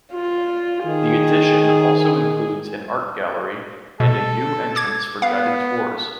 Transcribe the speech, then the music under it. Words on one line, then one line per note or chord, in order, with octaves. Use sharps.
The addition also includes an art gallery and a new entrance for guided tours.
F4
D#3 G#4
B2 A4
D6 G#6
B3 F5